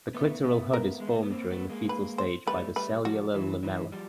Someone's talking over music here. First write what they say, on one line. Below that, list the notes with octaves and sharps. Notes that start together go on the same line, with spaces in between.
The clitoral hood is formed during the fetal stage by the cellular lamella.
A3 B3
A3 B3
A#4
G#3
A3
A#3
B3
A#3 C4
A3 B3
G#3 A#3
B4
C5
G3 A3 B4
G3 A3 B4
F3 G3 F#4
E3 F#3
E3 F#3
F3 G3